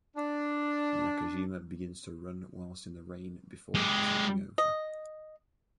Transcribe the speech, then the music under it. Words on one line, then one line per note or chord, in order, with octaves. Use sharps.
Nakajima begins to run whilst in the rain before tripping over.
D4
G#3 G4
D#5